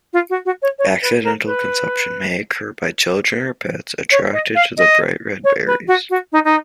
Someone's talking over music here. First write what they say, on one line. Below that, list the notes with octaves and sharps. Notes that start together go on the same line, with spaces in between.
Accidental consumption may occur by children or pets attracted to the bright red berries.
F4
F#4
F#4
C#5
C#5
B4
A#4
B4
C#5
D#5
F5
D#5
C#5
B4
F#4
F#4
D#4
D#4